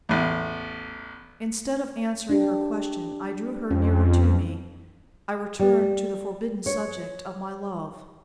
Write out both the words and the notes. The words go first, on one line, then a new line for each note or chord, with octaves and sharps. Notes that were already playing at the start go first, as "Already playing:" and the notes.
Instead of answering her question, I drew her nearer to me--I returned to the forbidden subject of my love.
A1 E2
D4 G4
F2 C#4
G3
C#5